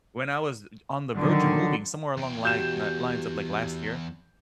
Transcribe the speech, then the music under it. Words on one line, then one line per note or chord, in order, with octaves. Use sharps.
when I was on the verge of moving somewhere along li na lines of like last year,
D3 D#3 F#3
E2 G5
F#4 G4 G6 E7